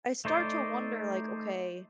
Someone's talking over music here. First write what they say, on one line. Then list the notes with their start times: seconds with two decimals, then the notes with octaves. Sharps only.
I start to wonder like, “Okay“
0.25 A3 D#4 C5 D5